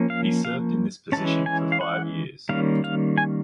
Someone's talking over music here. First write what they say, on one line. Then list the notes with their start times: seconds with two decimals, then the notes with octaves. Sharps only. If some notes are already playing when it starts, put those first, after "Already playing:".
He served in this position for five years.
Already playing: F3 A#3 C#4
0.10 F5
0.45 F5
1.12 E3 G#3 C#4 A5
1.46 G#5
1.72 F5
1.81 F#5
2.49 D#3 G3 A#3 C#4 F5
2.84 F5
3.18 G#5